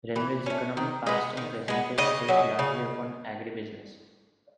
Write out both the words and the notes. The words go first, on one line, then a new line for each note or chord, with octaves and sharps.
Renville's economy, past and present, is based largely upon agribusiness.
E3
A3 C#4
D#3
G#3 B3
D#3
G#3 B3
C#3 D#5
F#3 C#4
C#3